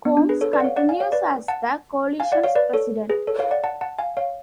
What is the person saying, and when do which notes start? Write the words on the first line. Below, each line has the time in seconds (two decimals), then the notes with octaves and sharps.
Combs continues as the Coalition's president.
0.05 B3
0.17 D4
0.29 G#4 B4
0.41 A4 C#5
0.53 B4 D5
0.60 F#5
0.64 C#5 F5
0.76 D5 F#5
0.89 F5 G#5
1.00 C#5 F5
1.12 B4 D5
1.48 F#5 A5
2.20 F5 G#5
2.32 D5 F#5
2.43 C#5 F5
2.55 B4 D5
2.73 A4 C#5
3.09 G#4 B4
3.27 A4 C#5
3.39 C#5 F5
3.51 D5 F#5
3.64 F#5 A5
3.81 F#5 A5
3.99 F5 G#5
4.17 C#5 F5